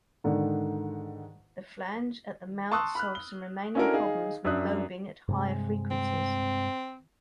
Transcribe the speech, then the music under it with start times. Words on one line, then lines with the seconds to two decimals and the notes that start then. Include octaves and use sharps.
The flange at the mouth solved some remaining problems with lobing at higher frequencies.
0.24 G#2 D3 D#3
2.72 A5 C6 C#6 D#6 E6 F#6
2.95 B5 F6 F#6
3.15 G7
3.75 C#4 D4 E4 F#4 A4 A#4
3.94 D#4 G#4 F5
4.45 F#2 D4 E5 D#6 F#6
5.28 G2 C3 G#3
5.91 C4